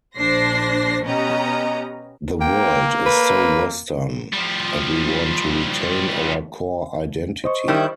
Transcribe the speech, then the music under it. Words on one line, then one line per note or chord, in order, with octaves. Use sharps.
The world is so Western, and we want to retain our core identity.
A#1 D4 C5 A#6 C7
B2 B3 C#4 G4 D#5 A#5
A#3 G5
B4
F3 G3
C5 D#5 C#6
D#3 G3 E4